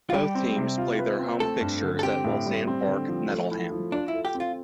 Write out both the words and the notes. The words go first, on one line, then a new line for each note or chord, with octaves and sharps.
Both teams play their home fixtures at Mulsanne Park, Nettleham.
F4
G3 G4
C4
C3
F4
B4
C4
A3 A4
G2
D3
A4
C4 G4
A2
G3
C4
D3
F3
A3
E4
F3
D4 F4
E4
A4
G4
C4
F4